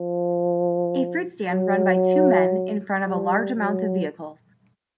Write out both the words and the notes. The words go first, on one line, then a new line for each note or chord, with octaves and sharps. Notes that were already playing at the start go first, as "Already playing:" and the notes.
A fruit stand run by two men in front of a large amount of vehicles.
Already playing: F3
F#3
G3
F#3